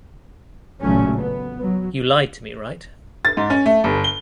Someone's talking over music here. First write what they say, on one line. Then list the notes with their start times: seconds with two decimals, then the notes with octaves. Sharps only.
You lied to me right?
0.80 A1 A#2 C#3 F#3 A3 C#4
1.17 B3
1.61 F#3
3.25 A6
3.37 G#2
3.50 C#4
3.66 A3
3.84 G1
4.04 G7